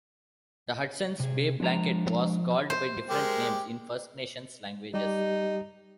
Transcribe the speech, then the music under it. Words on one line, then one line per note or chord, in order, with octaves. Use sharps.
The Hudson's Bay blanket was called by different names in First Nations languages.
C3 G#4
F3 G#3 D4 A#5
C5
G#3 G4 A#4
G3 D#4 G4